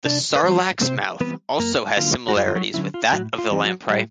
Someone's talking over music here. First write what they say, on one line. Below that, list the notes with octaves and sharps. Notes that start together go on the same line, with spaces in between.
The sarlacc's mouth also has similarities with that of the lamprey.
C3 D4 D5
B4
E3 G3 C4 C5
C3 C4 C5
E3 G3 B3 C4 B4
F#2 A#3 A#4
D3 F#3 A#3 C#4 F4
F#4
F#2 F4
F4
F#3 F#4
D3 F#3 A#3 C#4 E4
F4
A2 F#3 F#4
F4
E3 G3 C4 D#4
F#3 F#4
A2 G3 G4